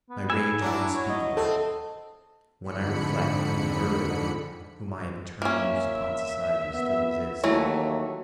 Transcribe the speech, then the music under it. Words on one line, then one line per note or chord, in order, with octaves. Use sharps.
My rage is unspeakable when I reflect that the murderer, whom I have turned loose upon society, still exists.
B3
G#5 E6
F#3 D4 E4
C#5
D#5
C4 A4
F2 G#2 D3 B5 C#7
A#3 C#4 E5
B3
D#2 E3 F#3 A3